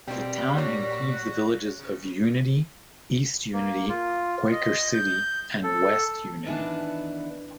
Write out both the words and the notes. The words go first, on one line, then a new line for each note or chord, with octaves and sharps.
The town includes the villages of Unity, East Unity, Quaker City, and West Unity.
B2 G3 A#3 C4 G5
A#2 A#3 D4 F#4 C#5
C#3
A#3
F4
D#5
G6
A4
D#3 E3 B3 D4 A5